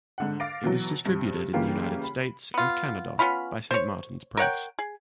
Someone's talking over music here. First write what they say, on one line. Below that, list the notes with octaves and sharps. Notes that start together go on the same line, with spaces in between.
It was distributed in the United States and Canada by Saint Martin's Press.
G#2 D3 F#5
F5 D6 A6 A#6 D7
B2 E3 F#3
G2 C3
C#3 E3 G3 A#3 F4 G4
B5
B3 F4
B3 C#4 F4 B5
C5 C#5
A#4 C#5 F#5 G5
G#4